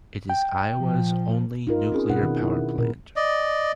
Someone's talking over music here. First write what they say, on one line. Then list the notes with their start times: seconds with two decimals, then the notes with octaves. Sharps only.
It is Iowa's only nuclear power plant.
0.30 G5
0.76 A#2 F3
1.67 D#4 F4 A#4
1.92 C4 C#4 G#4
2.09 B2 B4 F#5
2.23 D#3
2.42 E4
2.78 A#2 A#4
3.16 D5 D#5